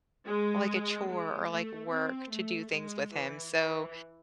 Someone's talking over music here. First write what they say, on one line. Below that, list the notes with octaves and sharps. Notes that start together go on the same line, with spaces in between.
like a chore or like work to do things with him, so,
G#3
G#3
A3
C4
A3
G#3
E3
E3